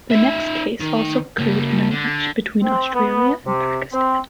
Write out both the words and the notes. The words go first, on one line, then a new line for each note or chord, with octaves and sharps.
The next case also occurred in a match between Australia and Pakistan.
D#4 E5
D#3
C#3 A#3
D3
C4
B3
C3
C4